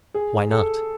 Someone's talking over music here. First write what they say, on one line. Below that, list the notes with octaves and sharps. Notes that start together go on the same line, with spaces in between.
Why not?
G#4
A4